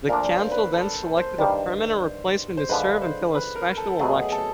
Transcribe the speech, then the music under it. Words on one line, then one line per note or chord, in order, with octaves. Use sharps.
The council then selected a permanent replacement to serve until a special election.
A#2 F3 A3 D4 A#4
C5
B4
A4
C5
G2 D#3 G3
C5
D3 F3 G#3 B4
C5
B4
A#4
A4
B2 F#3 A3 G#4
G#4
A4